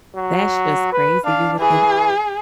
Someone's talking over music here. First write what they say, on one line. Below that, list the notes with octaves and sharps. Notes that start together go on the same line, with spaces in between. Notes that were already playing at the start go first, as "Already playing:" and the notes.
that's just crazy, you would think
F#3
B4
D4 F5
E3 G#4